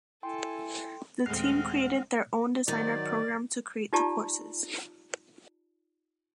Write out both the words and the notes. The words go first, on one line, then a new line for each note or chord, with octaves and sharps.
The team created their own designer program to create the courses.
E4 A4 G5 G#5 C6
D#1 G#3 A3 C4 F#5 F6 C7
G#2 D#3 F#3 D5 A6
D#4 F4 G4 D5 A5 A#5